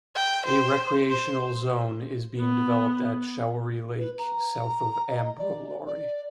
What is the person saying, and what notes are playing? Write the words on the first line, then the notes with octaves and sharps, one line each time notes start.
A recreational zone is being developed at Shaori Lake, south of Ambrolauri.
G5
C5
C5
B3
B4
A#5
D#5
D5
D5